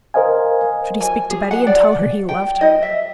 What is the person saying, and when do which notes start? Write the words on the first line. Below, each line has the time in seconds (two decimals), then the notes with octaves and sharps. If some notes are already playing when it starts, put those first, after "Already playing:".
Should he speak to Betty and tell her he loved her?
0.14 A#4 C5 D#5 F5 G#5
1.01 G#5
1.31 G#4
1.51 F#5
1.67 D5
2.29 G5
2.61 D#5
2.82 E5